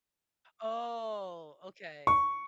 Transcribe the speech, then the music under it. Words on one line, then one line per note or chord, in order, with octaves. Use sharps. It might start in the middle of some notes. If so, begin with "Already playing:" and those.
Oh, okay. B
C#6